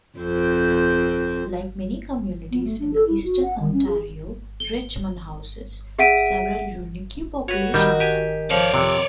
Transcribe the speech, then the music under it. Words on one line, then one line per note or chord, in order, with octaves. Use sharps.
Like many communities in eastern Ontario, Richmond houses several unique populations.
F2 C4 C5
B3
A3
D4
A4
E4
F#4
F#5
D#3
C#4
G#4
G7
G#4 E5 F#5 B6 D7 D#7
F#4 B4 C#5
D#3 G3
G4 G#5
F3 C#5 D5
F2 C3